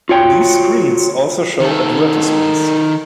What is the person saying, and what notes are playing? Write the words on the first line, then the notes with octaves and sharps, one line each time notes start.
These screens also show advertisements.
F4 F#4 C#5 G5
D#3 A4